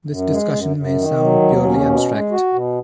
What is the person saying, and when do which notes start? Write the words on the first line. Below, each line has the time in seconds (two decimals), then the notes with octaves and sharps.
This discussion may sound purely abstract.
0.09 F#2
0.31 G#3
0.53 F#2
0.76 F#2
0.97 D#3
1.20 F#3
1.42 D#2
1.65 C#4
1.87 B2
2.10 G#3
2.32 F#4
2.53 B2